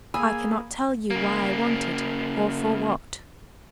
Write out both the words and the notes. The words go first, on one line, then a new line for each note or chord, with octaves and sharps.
I cannot tell you why I want it or for what.
A#3 G#4 G#5 B5 D#6 E6
C#3 A#3